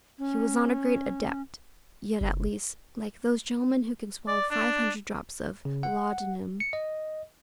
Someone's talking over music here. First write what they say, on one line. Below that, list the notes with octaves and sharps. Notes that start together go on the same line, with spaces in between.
He was not a great adept--yet, at least--like those gentlemen who can swallow five hundred drops of laudanum at a sitting.
C#4
F#1
D5
D4
C#3
F#5
C#7
D#5